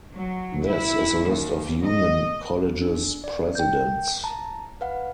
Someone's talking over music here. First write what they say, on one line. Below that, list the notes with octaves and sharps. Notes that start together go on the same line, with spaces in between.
This is a list of Union College's presidents.
F#3
E4
D#2
D#5
D4
D5
G5 G6
A5 A#5
B4 F5 F#5